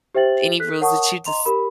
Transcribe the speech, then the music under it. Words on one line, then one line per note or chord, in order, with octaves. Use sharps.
any rules that you just
G4 C5 E5 G5 A6 F#7
A4 F#6 B6
A#4 C#5 F#5 A5 C#6 D#6
D#5 A#5 C6 F7
G4 A#4 B5